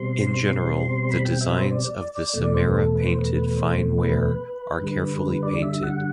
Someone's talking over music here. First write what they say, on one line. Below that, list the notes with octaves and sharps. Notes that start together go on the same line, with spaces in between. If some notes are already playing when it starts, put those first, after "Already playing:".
In general, the designs of the Samarra Painted Fine Ware are carefully painted.
Already playing: B2 G3 C4 C6
B5
G5
E5
B4
C5
D5
E2 B2 A3 D5
C5
A4
B4
C5
B4
C5
B4
G2 D3 G3
D5
E5
F#5